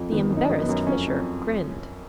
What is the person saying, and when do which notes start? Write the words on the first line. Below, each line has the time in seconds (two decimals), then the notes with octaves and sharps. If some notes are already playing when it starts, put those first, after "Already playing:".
The embarrassed Fisher grinned.
Already playing: F2
0.12 D#3 B3
0.30 F#2
0.37 D#4
0.50 F#2
0.62 B3
0.69 F#2
0.87 F2 C#4
1.07 F2